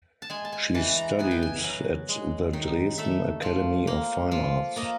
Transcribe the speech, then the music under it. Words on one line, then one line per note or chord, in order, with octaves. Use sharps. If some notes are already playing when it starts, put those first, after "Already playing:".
She studied at the Dresden Academy of Fine Arts.
A5
G#3 G#5
A5
G#5
E3 A5
A#5
B3 G#5
G5
G#5
F#3
G#3
D#3
A3 E5
F3
A#3
F3
A#3 D#5